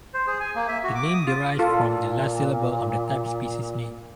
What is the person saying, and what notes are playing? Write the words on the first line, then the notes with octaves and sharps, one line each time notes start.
The name derives from the last syllable of the type species name.
C5
G#4
G#5
A#3
E5
F#4
D6
D#6
F4
A#2 F4 A4